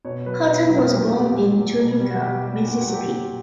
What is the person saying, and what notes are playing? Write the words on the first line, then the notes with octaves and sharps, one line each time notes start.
Cotton was born in Tunica, Mississippi.
B2 C#5
F#3 B4
B2 B4
B4
F#3
A#4
A#2 G4
F#3 G4
A#2
F#3
B2
G3
F#4
B2 G4
G3 F#4
A#2 F#4
G4
F#3
G4
A#2